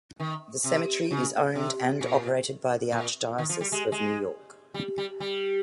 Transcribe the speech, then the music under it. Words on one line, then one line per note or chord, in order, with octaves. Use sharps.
The cemetery is owned and operated by the Archdiocese of New York.
D#3
C3
C#3
C3
A#2
A#2
D#3
F3
G3
G#3
G#3
G3
G3
G3